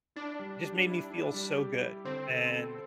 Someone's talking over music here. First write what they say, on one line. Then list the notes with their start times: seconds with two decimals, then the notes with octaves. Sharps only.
just made me feel so good. And
0.16 D4 E4
0.39 G3
0.63 G4
0.87 E4
1.10 E4
1.34 G3
1.57 G4
1.81 E4
2.05 D3 C4
2.28 A4
2.52 A4